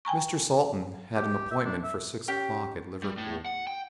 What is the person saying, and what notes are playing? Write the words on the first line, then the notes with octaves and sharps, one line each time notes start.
Mr. Salton had an appointment for six o'clock at Liverpool.
G5 G#5 A#5 C#6
G4
E5
D4
E5
C#4 G4 G5
G3
A2
F#5
G5